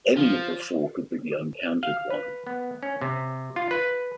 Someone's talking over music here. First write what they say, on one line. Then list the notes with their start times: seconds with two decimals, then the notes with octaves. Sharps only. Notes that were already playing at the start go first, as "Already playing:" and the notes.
Any of the four could be the uncounted one.
0.17 F3
1.83 F5
2.10 B4
2.47 B3
2.83 C#4
3.01 C3
3.56 F4
3.71 B4